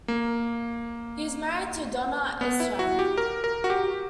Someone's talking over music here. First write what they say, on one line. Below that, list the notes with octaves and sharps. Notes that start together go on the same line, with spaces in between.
He is married to Donna Isham.
A#3
B3
E4
F#4
G4
A#4
A#4
F#4
G4